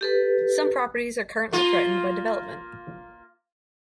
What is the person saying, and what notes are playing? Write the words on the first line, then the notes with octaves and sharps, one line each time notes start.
Some properties are currently threatened by development.
G4 A4 B4
A#3 F4